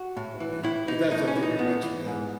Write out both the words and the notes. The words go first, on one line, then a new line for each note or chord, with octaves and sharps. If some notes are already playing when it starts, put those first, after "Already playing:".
but, yeah. If that's a thing you're mentioning, that
Already playing: F#4
A2
E3
A2 E4
E3 D#4
A2 D#4
C#4
E3
D#4
A2 B3
E3
G#2